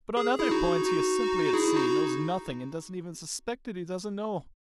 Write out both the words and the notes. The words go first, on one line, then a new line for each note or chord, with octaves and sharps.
But on other points he is simply at sea, knows nothing and doesn't even suspect that he doesn't know!
G#4
E4 G#4
D#4 F#4
D#4 F#4
E4 G#4
D#4 F#4